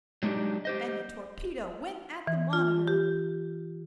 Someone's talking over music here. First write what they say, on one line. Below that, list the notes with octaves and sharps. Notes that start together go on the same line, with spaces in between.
"And the torpedo went at the monitor!"
F#3 G#3 D4 D#4 G4
G4 C5 D#5
E3
F4
G4